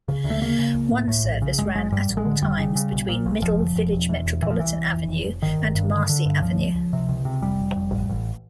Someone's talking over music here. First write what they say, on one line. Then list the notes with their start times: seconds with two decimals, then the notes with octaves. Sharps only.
One service ran at all times between Middle Village-Metropolitan Avenue and Marcy Avenue.
0.08 C#3
0.24 D2
0.30 A3
0.41 C#3 A#3
0.59 C#3
0.74 C#2
0.92 A2
1.08 A2
1.24 A#1
1.42 C#3
1.58 F#1 G#3
1.75 F#1 G#3
1.92 G2 G3
2.09 A1
2.17 G#3
2.25 D3
2.41 F1 G3
2.59 C#3
2.75 C#3
2.92 B1
3.09 A#2
3.26 B1
3.42 F1 F3
3.59 F1
3.75 F1
3.93 E1
4.09 E2
4.26 E1
4.42 A#2 E3
4.50 F3
4.59 C2 E3
4.76 C2
4.92 F1
5.08 F1
5.25 F1
5.42 G1 D#3
5.59 G1
5.75 G2
5.92 D3
6.09 D3
6.26 G2
6.42 C#2 F3
6.59 C#2
6.75 C#2
6.93 C3
7.08 C#2
7.25 C3
7.42 F1 G3
7.60 F1
7.76 F1
7.92 A1
8.09 A1